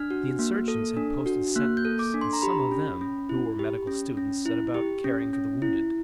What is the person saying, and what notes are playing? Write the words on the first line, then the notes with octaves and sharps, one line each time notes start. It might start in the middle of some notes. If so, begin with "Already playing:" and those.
The insurgents had posted sentinels, and some of them, who were medical students, set about caring for the wounded.
Already playing: D4 F6
F#4
A#3
A4
D4
F#4
A#3 F#6
G6
A4
D6
D4
C6
A#5
G4 B5
C#4
C#4
E4
G4
C#4
C#4
E4
G4
C#4
C#4
E4